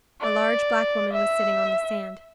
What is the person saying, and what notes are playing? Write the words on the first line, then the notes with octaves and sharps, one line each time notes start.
A large black woman was sitting on the sand.
D5
E5